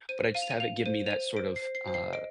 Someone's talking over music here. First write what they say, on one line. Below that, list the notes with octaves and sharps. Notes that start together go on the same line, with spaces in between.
But I just have it give me that sort of, uh,
C5 D#7
F5 D#7
F7
D#7
F5 F7
C5 D#7
F7
C5 D#7
C5 D7
C7
C5
C7
C5
C7
D#5 D7